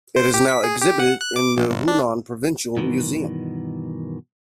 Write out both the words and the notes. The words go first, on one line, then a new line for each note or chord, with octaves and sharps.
It is now exhibited in the Hunan Provincial Museum.
C5
G4
B6
G#4
G4
F#5
F#6
D6
A#1
G1
D4
G2 B2 D#3 E3